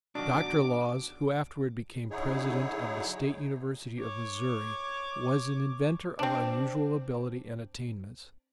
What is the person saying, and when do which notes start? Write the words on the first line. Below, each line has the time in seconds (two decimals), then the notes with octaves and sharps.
Doctor Laws, who afterward became President of the State University of Missouri, was an inventor of unusual ability and attainments.
0.15 B2 D#3 F#3 D4 D6
2.11 D3 F#3 D#4 E4 G#4 C#5
4.00 C#5 D6
6.19 C4 D4